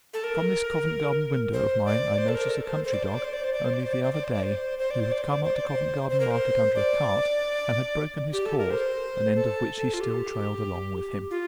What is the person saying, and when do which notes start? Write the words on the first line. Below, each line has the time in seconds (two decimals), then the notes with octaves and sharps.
From this Covent-garden window of mine I noticed a country dog, only the other day, who had come up to Covent-garden Market under a cart, and had broken his cord, an end of which he still trailed along with him.
0.14 A4
0.24 A#4
1.53 C5
1.86 D5
2.18 C5
2.28 A4
2.35 A#4
2.51 A4
2.68 C5
2.84 C5
2.94 D5
3.04 C5
3.14 D5
3.24 C5
3.33 D5
3.44 C5
3.53 D5
3.64 C5
3.74 D5
3.83 C5
3.93 D5
4.03 C5
4.13 D5
4.24 C5
4.33 D5
4.44 C5
4.79 C5
4.91 D5
5.00 C5
5.12 D5
5.22 C5
5.33 D5
5.44 C5
5.55 D5
5.66 C5
6.10 C5
6.20 A#4
6.31 C5
6.75 D5
8.33 G4
8.46 A4
8.58 A#4
8.70 C5
9.35 A4
9.94 F4
10.01 G4
11.31 F4